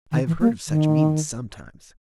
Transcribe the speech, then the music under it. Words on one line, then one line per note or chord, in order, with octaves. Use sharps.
I have heard of such means sometimes.
D#3
E3
A#3
D#3